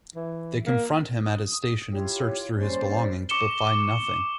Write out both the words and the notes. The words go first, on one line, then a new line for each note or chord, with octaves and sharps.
They confront him at his station and search through his belongings but find nothing.
E3
A#3
D#6
E4 F4 G4 C#5
G3 A#3 C#4 C5 D5
C#6 D6 C#7 E7 G7